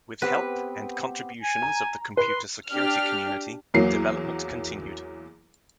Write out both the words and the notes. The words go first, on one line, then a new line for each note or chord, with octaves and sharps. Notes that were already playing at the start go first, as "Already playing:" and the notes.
With help and contributions of the computer security community, development continued.
B3 C4 G4 B4
G#5
A#5
B4 C6
D4 G4 F6
E2 F#3 A#3 C7